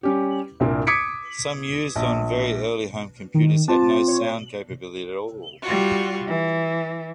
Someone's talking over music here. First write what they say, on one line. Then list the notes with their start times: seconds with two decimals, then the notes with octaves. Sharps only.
Some used on very early home computers had no sound capability at all.
0.03 G3 C#4 G4
0.60 C2 G2 A#2 A#3
0.87 D6 D#6 G#6 B6 C#7 D7
1.96 A#1
3.34 D#3
3.68 C4 F4 A5
4.08 C#5
5.63 G3 F4 F#4
6.27 E3